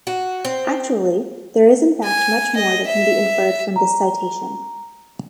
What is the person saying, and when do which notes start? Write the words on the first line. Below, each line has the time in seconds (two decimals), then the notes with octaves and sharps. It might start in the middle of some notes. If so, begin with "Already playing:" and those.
Actually there is in fact much more that can be inferred from this citation.
0.07 F#4
0.45 C4
2.03 G#5
2.56 D#5
2.87 E5
3.76 A#5